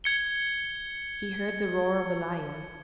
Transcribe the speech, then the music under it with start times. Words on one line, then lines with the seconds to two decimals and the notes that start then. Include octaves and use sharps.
He heard the roar of the lion.
0.04 G#6 C#7 G7